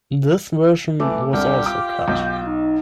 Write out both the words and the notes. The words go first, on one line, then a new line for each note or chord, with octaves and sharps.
This version was also cut.
E3 A3 D6
C2 D3 G4 F6
F4 D6
B1 G6
D#4